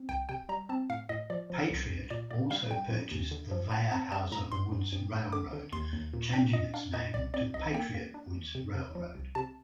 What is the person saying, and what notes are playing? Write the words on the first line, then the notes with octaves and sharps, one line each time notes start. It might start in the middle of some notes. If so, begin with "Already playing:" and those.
Patriot also purchased the Weyerhauser Woods Railroad, changing its name to Patriot Woods Railroad.
Already playing: C4
C2 G5
C3 G5
G3 A#5
C4 A5
A2 F5
A2 D#5
F3 D5
F3
C2
C2
A#2 D5
A#2 D5
G3 F5
G3 G5
F3
D#2
D3
F3
A2 A5
C4 A5
G3 A5
A2 A#5
G2 C6
G2
G2
A3
D3 D6
D3
D#2 C6
D#2
A#2
D4 G5
A#2 D#5
D4 F5
A#2 D#5
C2 D5
C4 D5
C2 D#5
A#3 G5
A#3
D4
D#2
C3
C3
F3
C2
C3 A5